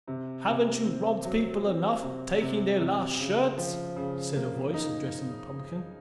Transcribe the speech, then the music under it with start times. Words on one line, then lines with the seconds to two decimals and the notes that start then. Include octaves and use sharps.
"Haven't you robbed people enough--taking their last shirts?" said a voice addressing the publican.
0.08 C3
0.48 C3
0.85 C4
1.25 F#3
1.64 C4
2.03 C3
2.42 C3
2.80 C3
3.19 C#3
3.57 F3
3.96 C#3
4.36 A#3
4.74 D#4